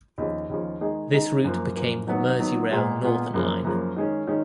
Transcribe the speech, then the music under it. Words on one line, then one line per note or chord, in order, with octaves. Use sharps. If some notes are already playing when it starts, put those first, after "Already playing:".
This route became the Merseyrail Northern Line.
D#2 C#3 F3
D#2 C#3 F3
D#3 G#3 D#4 G#4
D#3 G#3 D#4 G#4
F#2 F3 A#3
F#2 F3 A#3
D#3 F#3 B3
D#3 F#3 B3
A#2 G#3 B3 F4
A#2 G#3 B3 F4
F#2 C#3 F3 A#3
F#2 C#3 F3 A#3
D#3 G#3 C#4
D#3 G#3 C#4